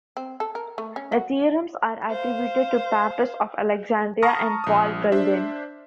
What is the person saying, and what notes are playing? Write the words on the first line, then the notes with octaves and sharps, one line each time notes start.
The theorems are attributed to Pappus of Alexandria and Paul Guldin.
C4
A4
A#4
A3
C#4
F#4
C5 F5
A5 A#5 C#6 D#6 F6 A#6
A#1 D#6
D4 C5 E5